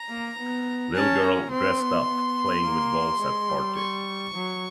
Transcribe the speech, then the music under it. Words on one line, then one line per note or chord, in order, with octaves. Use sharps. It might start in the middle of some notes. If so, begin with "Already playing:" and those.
Little girl, dressed up, playing with balls at party.
Already playing: A#5
A#3
B3
C#4 A5
A#5
C4 C6
B3
B3
A#3
G#3
G3
C#6
F#3